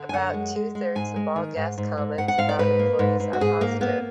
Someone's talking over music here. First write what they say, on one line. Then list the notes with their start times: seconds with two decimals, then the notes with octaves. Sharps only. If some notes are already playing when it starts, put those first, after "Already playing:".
About two thirds of all guest comments about employees are positive.
Already playing: D3
0.09 G#5
0.13 F#2 F#5
0.34 G#3
0.55 G#3
0.75 G#3
0.95 G#2 G#5
1.16 G#3
1.36 D#3
1.56 G#2
1.78 G#2
1.97 G#2
2.18 G#2 F#5
2.28 F#5
2.38 G#2 F5
2.49 D5
2.59 G#2 B4
2.79 A#3
2.99 G#2
3.20 G#2
3.33 F#4
3.40 G#2 G#4
3.61 G#2 A#3
3.81 A#3 B3